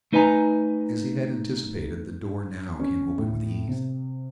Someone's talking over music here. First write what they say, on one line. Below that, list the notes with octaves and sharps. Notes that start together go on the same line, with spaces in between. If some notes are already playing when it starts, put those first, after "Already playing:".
As he had anticipated, the door now came open with ease.
A3 D#4 B4 D#5 G#5 A#5
C#4
A2
C3